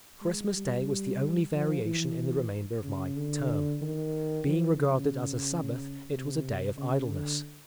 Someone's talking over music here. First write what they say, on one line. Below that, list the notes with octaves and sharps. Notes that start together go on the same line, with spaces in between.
Christmas Day was the only variation in the remainder of my "term." Being regarded as a Sabbath, it was a day of idleness.
G#3
G3
F3
E3
C#3
D3
D#3
F3
C#3
C#3
C3
C#3
D3